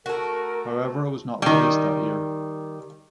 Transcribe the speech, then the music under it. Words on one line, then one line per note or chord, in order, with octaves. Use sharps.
However, it was not released that year.
A3 F#4 A#4
D#3 G3